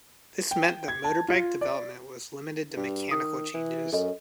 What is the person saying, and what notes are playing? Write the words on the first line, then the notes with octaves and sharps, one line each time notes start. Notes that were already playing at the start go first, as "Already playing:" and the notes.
This meant that motorbike development was limited to mechanical changes.
G5
G#6
A5
F4
D5
G2
D#3 D#6
E3
F#2 A4 D#5